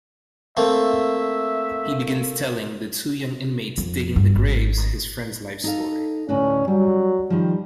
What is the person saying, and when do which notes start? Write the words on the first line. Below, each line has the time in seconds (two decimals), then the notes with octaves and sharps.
He begins telling the two young inmates digging the graves his friends' life story.
0.57 A3 A#3 C4 E5
3.78 F2
4.16 G2
4.35 G#1
5.64 D#4 A4 F5
6.29 D2 A2 C#4 B4
6.68 F#3 G3
7.30 D#3 F3 G3